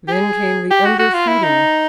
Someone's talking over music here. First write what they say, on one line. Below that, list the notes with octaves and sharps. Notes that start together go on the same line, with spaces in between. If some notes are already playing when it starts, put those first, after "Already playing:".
Then came the underfeeding.
G4
G#4
G4
F#4
F#4
F4
E4
D#4